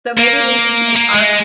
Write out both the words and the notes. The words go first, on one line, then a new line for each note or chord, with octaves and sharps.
So maybe we should take our
A#3
A#3
G#3